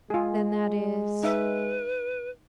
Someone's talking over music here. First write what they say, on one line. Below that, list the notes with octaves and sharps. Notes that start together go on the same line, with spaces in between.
"Then that is--?"
G#3 F4 G#4
D#4 B4 E5